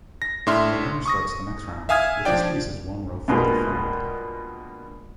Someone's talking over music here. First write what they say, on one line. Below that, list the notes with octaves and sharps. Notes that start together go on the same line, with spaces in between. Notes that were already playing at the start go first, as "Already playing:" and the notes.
Then the winner starts the next round, with his pieces one row further forward.
A#6
A2 D4 E5 C6 F6
C#6 D#6 A#6
E5 F5 G#5 D#6 F6 G#6
F3 D4 D5 G5
G2 B2 G#3 A#3 B3 F4